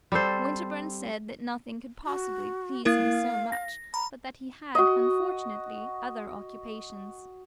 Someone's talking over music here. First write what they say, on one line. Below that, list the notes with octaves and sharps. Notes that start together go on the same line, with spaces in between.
Winterbourne said that nothing could possibly please him so much, but that he had unfortunately other occupations.
G3 C4 A4 C5
F#4
A#3 E4 A#4 F5
A#6
A#5 B5
F#4 D#5